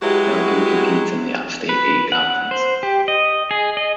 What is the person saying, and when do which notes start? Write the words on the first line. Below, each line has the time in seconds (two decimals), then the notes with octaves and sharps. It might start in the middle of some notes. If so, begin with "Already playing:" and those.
Elgin competes in the Upstate Eight Conference.
0.02 F#3 G#3 E4 F#4 G4 B4
1.69 B4
2.12 F#5
2.51 C5
2.83 G4
3.08 D#5
3.51 G#4
3.77 D#5